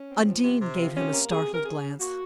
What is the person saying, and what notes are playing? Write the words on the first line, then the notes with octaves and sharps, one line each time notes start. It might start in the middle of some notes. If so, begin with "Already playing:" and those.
Undine gave him a startled glance.
Already playing: C#4
C4
F3
C3
C3
F3
C3 C#4
A#3
C3 G#4
C3
A#4
C#3 G#4
C#3
A#3 F#4